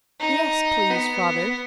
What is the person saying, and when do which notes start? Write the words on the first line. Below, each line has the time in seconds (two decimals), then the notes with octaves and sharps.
"Yes, please, Father."
0.20 D#4
0.90 B3